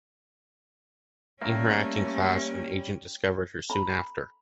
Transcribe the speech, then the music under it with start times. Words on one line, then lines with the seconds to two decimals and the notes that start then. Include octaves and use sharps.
In her acting class an agent discovered her soon after.
1.41 G3 A3 A#3 C#4
3.70 A#5 B5